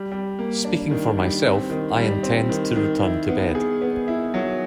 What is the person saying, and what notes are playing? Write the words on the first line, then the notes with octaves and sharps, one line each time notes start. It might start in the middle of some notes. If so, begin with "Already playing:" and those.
Speaking for myself, I intend to return to bed.
Already playing: G3
G3
A#3
D4
D#3
G3
C4
D#3
G3
C4
D#3
D#3
E4
B3
G#4
B3
E4
F#3